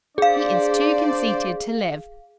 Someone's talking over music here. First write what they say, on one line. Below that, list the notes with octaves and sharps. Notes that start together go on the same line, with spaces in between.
"He is too conceited to live."
D4 G#4 C5 D5 F5